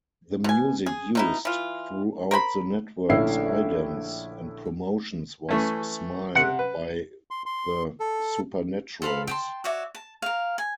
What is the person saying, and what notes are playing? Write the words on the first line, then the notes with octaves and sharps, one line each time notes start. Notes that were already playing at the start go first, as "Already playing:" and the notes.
The music used throughout the network's idents and promotions was "Smile" by The Supernaturals.
B2 G#5
G#4
B2 D#4 E4
E3 F4
A#4 C5 G5 B5
A#1 D3 A3 C#4 E4 C7
E3 A3 C#4
C3 F#5
B4
C6
C6
A4
A4 C5 F5 B5
G5 A5 C6
F#4 C#5 D5 E5
A5
A#4 F5
G#5